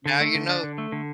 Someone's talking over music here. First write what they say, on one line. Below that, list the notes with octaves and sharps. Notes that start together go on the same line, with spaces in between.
Now you know.
D3
A3
D3
D4
D3
A3
D3